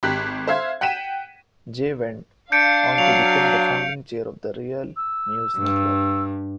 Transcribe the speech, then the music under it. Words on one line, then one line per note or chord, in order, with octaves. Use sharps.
Jay went on to become the founding chair of The Real News Network.
G#1 G4 F#6 B6
C5 E5 F5 G#6
F#5 G5 B6 D#7 E7
D4 F5 G6 C#7 D7
F#3 F7
E6
G2